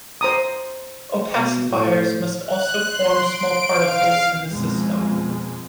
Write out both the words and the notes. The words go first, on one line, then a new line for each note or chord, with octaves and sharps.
Opacifiers must also form small particles in the system.
C5 A#5 D#6
B2
A2
F#6
C6
D7
F5
F2 B2 F3 G#3